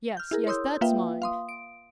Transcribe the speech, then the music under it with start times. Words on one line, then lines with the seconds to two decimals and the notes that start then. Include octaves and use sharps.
Yes, yes; that's mine.
0.17 F6 G6
0.31 E4 G#4 A#4
0.47 C#5 C6 D#6 E6 G6
0.81 A#3 F4 B4 E5 F5 G5
1.22 F5 C6 D#6
1.49 D7